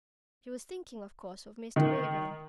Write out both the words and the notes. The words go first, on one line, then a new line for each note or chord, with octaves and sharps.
She was thinking, of course, of Mr. Raeburn.
D#3